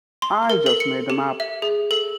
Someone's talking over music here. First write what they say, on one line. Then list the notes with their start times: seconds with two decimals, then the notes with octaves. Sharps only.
I just made them up.
0.22 C6
0.50 A#4
0.66 A4
0.80 C#7
1.10 G4
1.40 E5
1.62 G#4
1.91 A4